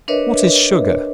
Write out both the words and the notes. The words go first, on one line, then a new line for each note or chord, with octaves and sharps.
What is Sugar?
D4 A#4 B4 C#5 D#5 E5